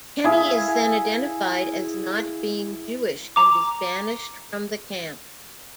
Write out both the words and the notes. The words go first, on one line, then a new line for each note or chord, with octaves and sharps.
Kenny is then identified as not being Jewish and is banished from the camp.
E4 G#4 E5 F5
A#5 D6